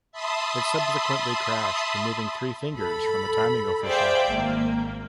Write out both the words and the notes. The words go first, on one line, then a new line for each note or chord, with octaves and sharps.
It subsequently crashed, removing three fingers from a timing official.
E5 A5 B5 C6 D#6
A4 B5
G#4 C5 D5 E5 F5 G5
G#1 A#3